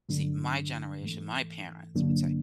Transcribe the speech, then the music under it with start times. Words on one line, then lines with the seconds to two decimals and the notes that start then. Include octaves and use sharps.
see, my generation, my parents would say,
0.09 G2 D3 F#3 A3 D4
1.02 G#2 E3 A3
1.95 G2 D3 F#3 A#3 D4